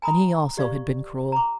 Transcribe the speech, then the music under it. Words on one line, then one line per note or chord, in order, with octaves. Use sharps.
And he also had been cruel.
G#5 A#5 B5 D#6
G4 D5 F5 C#6
A#5 D6